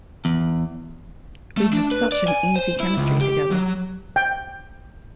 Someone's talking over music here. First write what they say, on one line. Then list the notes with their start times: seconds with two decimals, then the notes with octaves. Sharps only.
We have such an easy chemistry together.
0.25 E2
1.57 A3
1.73 D4
1.91 B4
2.12 D5
2.28 G#5
2.56 C5
2.80 E4
2.97 C#2
3.21 G4
3.51 F#3
4.16 G5